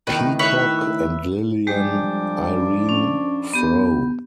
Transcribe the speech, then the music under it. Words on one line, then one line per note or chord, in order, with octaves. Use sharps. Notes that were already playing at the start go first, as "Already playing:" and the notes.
Peacock and Lilian Irene Frow.
E2 A2 D#3 B4
B4 C#5 E5
F2 G3 G#3 D4 G4
C#4
B3 G4